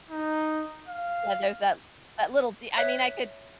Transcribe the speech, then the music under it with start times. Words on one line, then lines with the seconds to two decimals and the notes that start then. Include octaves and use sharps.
Yeah, there's that that little de I mean, I could
0.11 D#4
0.88 F5
2.77 C#5 E5 F#6 B6